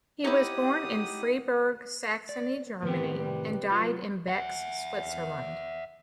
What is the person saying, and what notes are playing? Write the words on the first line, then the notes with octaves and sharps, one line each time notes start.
He was born in Freiberg, Saxony, Germany and died in Bex, Switzerland.
D#4 E4 G4 C#5 F#5 D#6
D5
A2 D#3 B3 C4 G4 A#4 B4
C3 G3
F#3 F4
E5 F#5